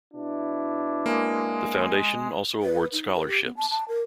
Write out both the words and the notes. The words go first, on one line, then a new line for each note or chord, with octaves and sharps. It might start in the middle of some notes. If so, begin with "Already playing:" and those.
The Foundation also awards scholarships...
B2 D4 E4
G#3 A#3
B4
D#4
A#4
G4
B3
A5
A5
A#4